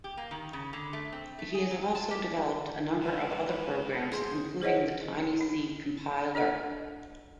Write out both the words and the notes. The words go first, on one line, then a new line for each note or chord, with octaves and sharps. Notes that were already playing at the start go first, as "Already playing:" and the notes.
He has also developed a number of other programs, including the Tiny C Compiler.
G4
A#3
D#3
C#3
D3
A3
C4
A3
G#4
F#3
A5
G4
G#2 G4 B4
G#4 C5 C6
G#4 C5 C#5 D#5 F#5
D#4
D4 A4 D#5 F#5